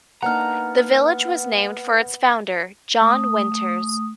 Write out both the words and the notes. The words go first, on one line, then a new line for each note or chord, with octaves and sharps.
The village was named for its founder, John Winters.
A#3 B3 D4 D#4 F#5 A#5 F6
A3 D#6